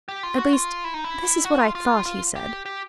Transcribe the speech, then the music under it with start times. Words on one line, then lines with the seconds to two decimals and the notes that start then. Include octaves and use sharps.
At least, this is what I thought he said.
0.09 G4
0.23 F4
0.38 F#4
0.53 F4
0.84 E4
0.94 D#4
1.04 E4
1.45 F#4
1.59 F4
1.75 F4
2.06 F4
2.36 G4
2.66 G4